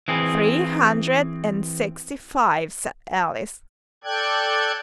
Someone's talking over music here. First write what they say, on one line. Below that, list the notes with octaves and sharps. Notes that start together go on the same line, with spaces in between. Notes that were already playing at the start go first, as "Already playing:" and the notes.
'Three hundred and sixty-five,' said Alice.
E3 C4 G#4
A4 D5 G5 F#6 G#6